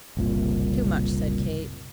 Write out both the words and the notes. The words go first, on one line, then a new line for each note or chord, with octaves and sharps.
"Too much!" said Kate.
F#1 C2 A#2